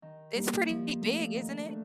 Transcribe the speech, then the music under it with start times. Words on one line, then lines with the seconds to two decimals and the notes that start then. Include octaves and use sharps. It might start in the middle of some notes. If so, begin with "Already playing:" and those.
It's pretty big, isn't it?
0.02 D#3
0.35 G3 A#3
0.68 F3
1.01 A3 D4
1.35 D#3
1.67 A3 D4